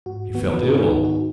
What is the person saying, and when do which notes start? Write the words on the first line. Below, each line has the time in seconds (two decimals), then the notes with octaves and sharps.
He felt ill.
0.06 G#2 F#4
0.34 D#3 B3 F#4
0.54 B4
0.63 G#2 D#4 G#4
0.76 D#4 G#4
0.90 D#3 B3 D#4
1.04 F#4